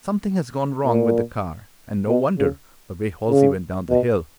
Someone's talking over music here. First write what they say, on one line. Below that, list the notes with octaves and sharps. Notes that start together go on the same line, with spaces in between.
"Something has gone wrong with the car, and no wonder--the way Halsey went down the hill."
A#2
B2
C#3
C#3
B2